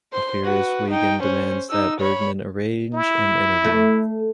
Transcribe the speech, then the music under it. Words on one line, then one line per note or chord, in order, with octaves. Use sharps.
A furious Wigand demands that Bergman arrange an interview.
C5 C6
F#4 B4
D#4 G5
C#4 C5
D#4 E6
C#5 B5
E4
A3